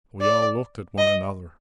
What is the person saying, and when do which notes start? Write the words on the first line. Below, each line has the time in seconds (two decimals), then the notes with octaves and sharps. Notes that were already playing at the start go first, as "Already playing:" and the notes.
We all looked at one another.
0.21 D5
0.98 D#5